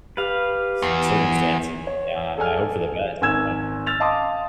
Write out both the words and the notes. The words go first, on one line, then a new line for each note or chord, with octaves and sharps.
c circumstance, and yeah, I hope for the best, you know?
G4 B4 F5
E2
C#5
G#4 A4 D5 G#5 F6
G#1 G#5 E6 G#6 E7
E6 F6 A6 F7
D#5 F5 A5 C6 D6 D#6